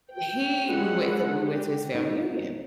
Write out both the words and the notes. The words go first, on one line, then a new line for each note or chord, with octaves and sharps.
he we went to we went to his family reunion.
G5
G#3 C#4 E4 F#5
G4
D#4